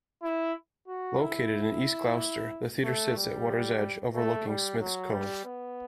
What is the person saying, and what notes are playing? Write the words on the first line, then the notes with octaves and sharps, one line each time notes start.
Located in East Gloucester, the theatre sits at water's edge overlooking Smith's Cove.
E4
F#4
E4
A3
G3
A3
G3
F#3
G3
B3